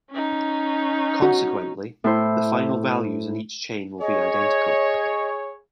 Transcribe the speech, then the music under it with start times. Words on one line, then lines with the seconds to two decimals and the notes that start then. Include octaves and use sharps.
Consequently, the final values in each chain will be identical.
0.11 C#4 D#4
1.22 F#4
2.04 A2 E4 C5
4.01 G#4 C#5 D#5